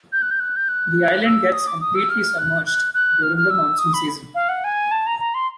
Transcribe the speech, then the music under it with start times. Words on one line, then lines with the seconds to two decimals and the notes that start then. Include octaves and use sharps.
The island gets completely submerged during the monsoon season.
0.12 G6
0.22 F#6
0.31 G6
0.40 F#6
0.56 G6
0.68 F#6
1.25 E6
1.53 D#6
1.67 D6
1.81 D#6
1.95 E6
2.10 F6
2.38 F#6
2.66 F#6
2.94 F#6
3.23 F6
3.37 F6
3.50 E6
3.78 D#6
3.94 B5
4.35 F5
4.49 F#5
4.64 G#5
4.91 A5
5.07 A#5
5.20 A#5
5.34 C6